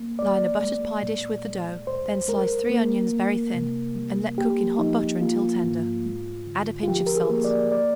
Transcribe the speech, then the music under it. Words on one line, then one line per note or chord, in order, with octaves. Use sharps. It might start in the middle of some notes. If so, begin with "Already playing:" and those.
Line a buttered pie-dish with the dough; then slice three onions very thin and let cook in hot butter until tender; add a pinch of salt.
Already playing: A#3
D#2 D5
G#3
A#2
G#3
D2 C5
G#3 A#4
A#3
A#3
C3
G3
A#3 G4
F3 D#4
A#3 F4
G#2
G#3
D3
F4
F3 G4
A#4
G#4
A#3
D5
D5